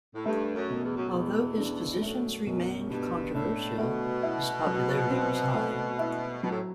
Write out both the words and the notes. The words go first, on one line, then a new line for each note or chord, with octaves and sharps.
Although his positions remained controversial, his popularity was high.
A2
G2 A3
F#2
B2
E2
F#2
E2
B2
D4
F#2 A3
F#2 B2
G2 B2
A2 D4
B2 A3
E4
F#3
C4
A3
E4
B2 F#3
A2